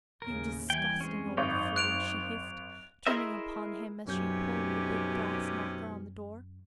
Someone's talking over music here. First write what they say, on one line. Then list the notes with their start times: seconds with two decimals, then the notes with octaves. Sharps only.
"You disgusting old fool," she hissed, turning upon him as she pulled the big brass knocker on the door.
0.22 D#2 A2 C#3 A#4
0.70 E3 G3 G5 G#5
1.01 F#2 G#3 C4 C#4
1.37 G#1 D#4
1.76 F#6 D7 F7
3.07 E4 G#4 A#4 C5 D#5 E5
4.07 B1 F#2 C3 C#4 G4 G6